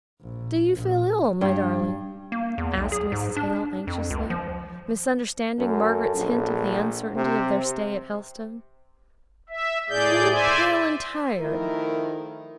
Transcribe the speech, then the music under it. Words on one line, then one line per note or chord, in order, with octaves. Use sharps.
'Do you feel ill, my darling?' asked Mrs. Hale, anxiously, misunderstanding Margaret's hint of the uncertainty of their stay at Helstone. 'You look pale and tired.
A#1
A#1 A#2
G2
A#3
E2
B1
G#4
G#2
D4
F2
C#2
F3
F#2 A4
A#1
C3 C5
E5
A2 G#4 D5 G6
C5 D5 E5 G#5
D#3 F3 A3 E4 A#4